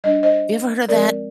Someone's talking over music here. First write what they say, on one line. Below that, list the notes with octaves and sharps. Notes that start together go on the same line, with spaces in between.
you ever heard of that
G3 D4 D#5
C5 D#5
F3 G#3 C4 A#4 D5